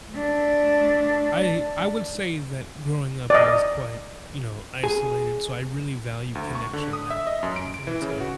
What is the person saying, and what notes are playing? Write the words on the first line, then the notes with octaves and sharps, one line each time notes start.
I I would say that growing up, I was quite, you know, isolated, so I really value connection now. I think that's a
A3 D4
D5 D#5
G#4
D2
C#6
D3
D#6
E5
D#5
F#2
D7
D7
E3
C#3
F#4